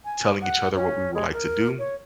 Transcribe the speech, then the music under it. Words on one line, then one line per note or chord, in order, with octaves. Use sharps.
telling each other what we would like to do
G#5
F#5
C#4
G#3
A#4
C#5